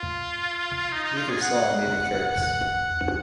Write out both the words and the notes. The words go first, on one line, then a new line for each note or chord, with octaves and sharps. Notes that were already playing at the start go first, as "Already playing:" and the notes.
Neither song made the charts.
Already playing: F4
D#4
D#4
F4
G#4
F#5
F#5